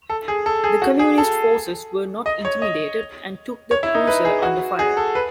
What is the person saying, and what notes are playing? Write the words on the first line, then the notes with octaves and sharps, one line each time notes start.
The Communist forces were not intimidated and took the cruiser under fire.
A4
G#4
A4
G#4
F#4
G#4
A4
D#5
C#5
D#5
C#5
E4
D#4
B4
G#4
F#4
G#4
A4
B4